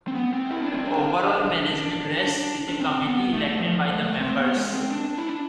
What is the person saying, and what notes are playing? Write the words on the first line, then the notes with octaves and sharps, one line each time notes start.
Overall management rests with a committee elected by the members.
C4
B3
C4
E4
D4
C4
D4
D4
D4
D4
C4
B3
A3
F3
G#3
A3
C4
B3
G#3
C4
D4
E4
D4